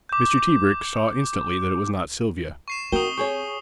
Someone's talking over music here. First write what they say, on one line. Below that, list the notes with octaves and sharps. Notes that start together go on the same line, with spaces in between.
Mr. Tebrick saw instantly that it was not Silvia.
D6 G6
C#6 C7 E7
C4 D#4 F#4 A#4 D#5 G5 D#6 G7
G4 G#4 C#5 C#6